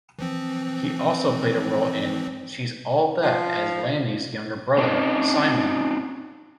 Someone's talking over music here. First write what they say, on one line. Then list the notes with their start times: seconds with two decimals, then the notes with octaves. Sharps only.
He also played a role in "She's All That" as Laney's younger brother, Simon.
0.19 E3 F3 C4
3.21 F3
4.78 C4 C#4 D#4 D#5 A5